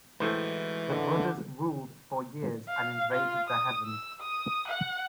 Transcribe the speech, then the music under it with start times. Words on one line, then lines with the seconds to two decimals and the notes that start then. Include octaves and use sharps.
The brothers ruled for years and invaded the heavens.
0.20 A2 E3 G#3 D#4 F#4 C5
0.90 D3 A#4 D#5 F#5
2.68 F5
3.12 F4
3.48 D#6
3.86 E6
4.21 D#6
4.68 F#5